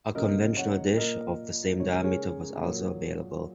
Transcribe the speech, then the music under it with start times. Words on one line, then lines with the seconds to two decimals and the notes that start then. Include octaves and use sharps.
A conventional dish of the same diameter was also available.
0.15 C#3 F#3 A#3 A#4 D#5
0.57 C#5 F#5
0.97 A#2 A#3 A#4 D#5
1.79 C#3 G#3 C#5
1.92 A#4
2.04 G#4 C#5
2.63 A#2 F#3 A#3